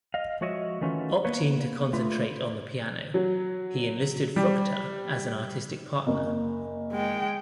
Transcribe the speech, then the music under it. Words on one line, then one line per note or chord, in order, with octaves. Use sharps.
Opting to concentrate on the piano, he enlisted Fruchter as an artistic partner.
D#5 F5
F3 G#3 F#4 C#5 D#5 E5
D#3 E3 A3 C#4 F4 F#4
A#3 B3 B4 C#5
D3 A3 F4 B4
F#3
G3
F#1 A#3
G#3 G5